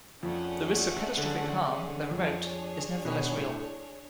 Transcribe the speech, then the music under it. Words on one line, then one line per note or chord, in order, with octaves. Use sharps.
The risk of catastrophic harm, though remote, is nevertheless real.
F2 F3 A3 C#4 G#4 D5 F#5
D3
D3
D3
F2 F3 D4 G#4 C#5
B2 B3
A2 A3